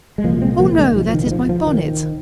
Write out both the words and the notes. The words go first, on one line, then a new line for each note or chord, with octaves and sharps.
'Oh no! that is my bonnet.
G#3
C2 A#2 F3 A#3
G#3 C4
F3 A#3
D#3 G#3
F3
F3
D#3
G#3
F3
F3
D#3